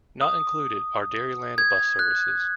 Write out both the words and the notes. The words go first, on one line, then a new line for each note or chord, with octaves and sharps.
Not included are Dairyland Bus services.
D#6
G#6
F#6